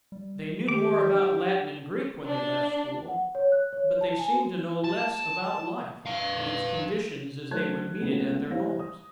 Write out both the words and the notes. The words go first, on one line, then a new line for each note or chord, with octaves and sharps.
They knew more about Latin and Greek when they left school, but they seemed to know less about life and its conditions as they would meet it at their homes.
G3
D#3 G4 D6
D4
D4
F#5
C#5
F#6
C#5
A5
G#5
F#4
A5
B4 F5
F#3 A3 C5 A5 F#6 G#6
C#2 C#3 A3 B3 C4
E3 G3 C5 F5 A#6
D#6